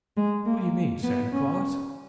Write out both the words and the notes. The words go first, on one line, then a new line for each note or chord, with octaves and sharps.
"Who you mean--Santa Claus?"
G#3
A#3
B3
C#4